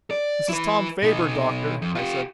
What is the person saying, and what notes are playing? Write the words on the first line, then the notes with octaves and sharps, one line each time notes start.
"This is Tom Faber, Doctor," I said.
D5
E4 B4
B2 D#4
F2
F4 G4